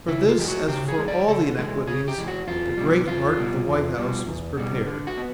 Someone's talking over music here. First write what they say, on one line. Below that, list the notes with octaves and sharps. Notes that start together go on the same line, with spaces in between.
For this, as for all the inequities the great heart of the White House was prepared.
C#3 E4
F4
E3 G#3 G4
F#4
C#3 G4
G#4
E3 G#3
D5
C#3 A4
E3 G#3
C#3 G#4
G4
E3 G#3
F#4
E2 F4
B2 G3
E2 F4
B2 G3
E2
B2 G3
E2
B2 G3
D3
F#4
B3